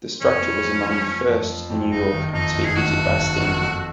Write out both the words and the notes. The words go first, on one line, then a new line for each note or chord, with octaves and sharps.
The structure was among the first in New York to be heated by steam.
F2 C#4
B3
F3
F3
F3
F2
F3
F2
F#1 D#4
D#3
F2 D#4
F#1
G#4
D#3 F#4
F#1
F#1
F2
F2